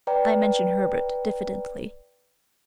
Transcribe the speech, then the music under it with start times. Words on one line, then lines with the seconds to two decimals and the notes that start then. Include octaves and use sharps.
I mentioned Herbert diffidently.
0.07 B4 D5 G5 A#5